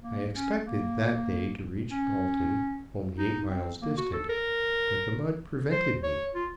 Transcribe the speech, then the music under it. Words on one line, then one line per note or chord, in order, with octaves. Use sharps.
I expected that day to reach Dalton, only eight miles distant, but the mud prevented me.
A#3
C#4
A#3
C#4
D#4
C4
A#3
F#4
A4
A#4
C5
C#5
F4